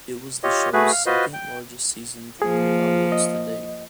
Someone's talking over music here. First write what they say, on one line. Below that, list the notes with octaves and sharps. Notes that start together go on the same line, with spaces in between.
It was the show's second largest season premiere audience to date.
F4 G4 C#5 D#5
A3 F#4 G#4 B4
F5
F4 F#4 B4 C5 D#5
G5
F3 A#3 G#4
D#5